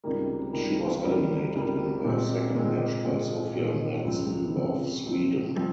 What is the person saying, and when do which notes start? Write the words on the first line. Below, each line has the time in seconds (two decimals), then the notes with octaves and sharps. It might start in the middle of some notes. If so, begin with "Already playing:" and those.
She was eliminated in her second match by Sofia Mattsson of Sweden.
0.04 C#2 C3 D#3 G3 A#3
0.53 C#2 C3 D#3 G3 A#3
1.04 C#2 C3 D#3 G3 A#3
1.54 C#2 C3 D#3 G3 A#3
2.05 A#2 G#3 C4
2.55 A#2 G#3 C4
3.04 A#2 G#3 C4
3.54 A#2 G#3 C4
4.05 C#2 C3 F3 C4
4.56 C#2 C3 F3 C4
5.05 C#2 C3 F3 C4
5.57 C3 F3 C4